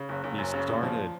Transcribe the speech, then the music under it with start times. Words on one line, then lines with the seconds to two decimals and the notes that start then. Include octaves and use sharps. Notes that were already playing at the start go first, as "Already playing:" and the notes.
she started
Already playing: C#3
0.09 F#1
0.24 F#1
0.38 F#2
0.54 C#3
0.68 A#2
0.83 F3